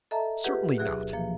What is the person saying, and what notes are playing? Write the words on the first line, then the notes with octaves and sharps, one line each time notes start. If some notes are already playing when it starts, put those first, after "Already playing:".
'Certainly not.
A4 D#5 E5 A5 A#5
F4 G4 G#4 B4 F#5
D2 B2 F#3 G#4 E5 F#6
A#2 E3 F3 A#3